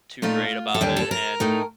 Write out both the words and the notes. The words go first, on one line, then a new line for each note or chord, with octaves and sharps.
too great about it, and
A#2 A3 D#4 F4
A4
D#2 D3 G3 G4
A4
A#4
A2 A3 D#4